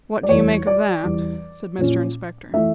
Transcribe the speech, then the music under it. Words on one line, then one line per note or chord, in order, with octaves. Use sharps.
'What do you make of that?' said Mr Inspector.
D5
E2 E3 G3 C#5
D5
E2 E3 G3
A#2 F3 C#4
E3 A3 E5